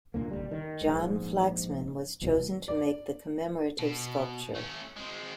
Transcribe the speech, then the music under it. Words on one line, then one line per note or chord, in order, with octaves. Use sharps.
John Flaxman was chosen to make the commemorative sculpture.
G2 A#2 D3 A#3
D#1 B1 G3
D#3
A#1 G#2
D#1 C2 B2
D5
B2
A3 C#4
G#3 C4